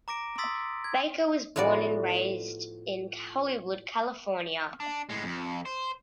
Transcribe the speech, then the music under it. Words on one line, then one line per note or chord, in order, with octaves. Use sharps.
Baker was born and raised in Hollywood, California.
A#5 D6 A#6 D7
C6 D#6 E6 A6 B6
G#6
A2 F3 B3 F#4 D5
D4
A2 G#3
F2
C5